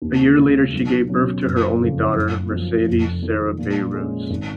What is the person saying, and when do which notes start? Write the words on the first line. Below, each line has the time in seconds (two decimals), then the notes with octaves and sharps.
A year later she gave birth to her only daughter, Mercedes Sarrabayrouse.
0.02 D#2
0.37 C#3 G#3
0.73 B1
1.09 B2 F#3 C#4
1.45 F#1
1.80 F2 C#3
2.15 F#1
2.51 F#2 F3
2.87 F1
3.23 F2 D#3
3.58 A#2
3.94 G#3 C#4
4.30 G#1